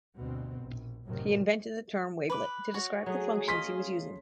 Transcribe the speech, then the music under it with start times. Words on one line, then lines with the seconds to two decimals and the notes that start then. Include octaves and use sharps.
He invented the term "wavelet" to describe the functions he was using.
0.15 D2 G2 B2 C4
0.60 A#1
1.05 F#1 F#2 A2 C3 D#3 F#3
2.30 B4 D6
2.74 F#4 C#5
3.06 F#3 A3 G#4
3.48 C#4 D#5 F5 C6 B6